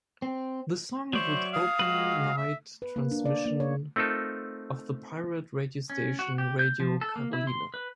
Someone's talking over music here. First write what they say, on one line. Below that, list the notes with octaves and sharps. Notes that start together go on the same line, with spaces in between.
The song would open night transmission of the pirate radio station Radio Caroline.
C4
F#3 C5 D5 E5 C#6
F5 D#6
G#3 F#4 B4
E5
B4
A#3
D4
D5
A#3
C#5
A3 C4 D#4 F4 A4 A#4
C#4
F#4
G4
G6
F3
A4
A#3
E4
C6
B4